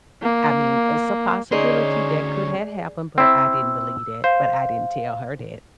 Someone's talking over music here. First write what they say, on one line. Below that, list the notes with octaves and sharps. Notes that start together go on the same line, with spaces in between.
I mean, it's a possibility that could have happened, but I didn't believe that, but I didn't tell her that.
A#3
D2 C#4 D#4 G#4 C#5 D5 C6 C7
C4 E4 E6
C5 F5